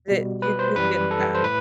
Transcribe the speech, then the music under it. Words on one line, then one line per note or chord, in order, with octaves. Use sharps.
th you do get that.
B2 G3
B4
C5
F#2 E3 G3 B4
A4
C5
A2 B4